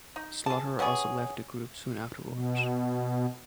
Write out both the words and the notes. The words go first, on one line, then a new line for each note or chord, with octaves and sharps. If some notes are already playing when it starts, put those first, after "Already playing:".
Slaughter also left the group soon afterwards.
D#4
G#4 A5
B3 C#4 G4 G#4
B2